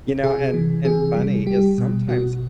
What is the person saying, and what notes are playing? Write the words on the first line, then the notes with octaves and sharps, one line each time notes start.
you know, and and funny is sometimes
C3 G#4
E3
C3 G#4
G3
G3 G4
B2
B2 F#4